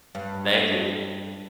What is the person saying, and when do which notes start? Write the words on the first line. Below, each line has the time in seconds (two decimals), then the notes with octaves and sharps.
Thank you.
0.15 G2